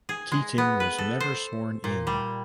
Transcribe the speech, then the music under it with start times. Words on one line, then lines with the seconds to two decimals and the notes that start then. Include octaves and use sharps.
Keating was never sworn in.
0.09 G#4
0.32 G#3
0.58 B3
0.80 B4
0.98 A4
1.20 C5
1.84 A#2
2.07 G3